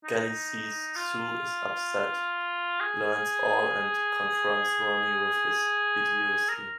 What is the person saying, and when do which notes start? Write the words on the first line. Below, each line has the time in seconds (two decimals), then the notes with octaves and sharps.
Gally sees Sue is upset, learns all and confronts Ronnie with his idiocy.
0.04 D#4
0.95 F4
2.81 G#4
6.49 A#4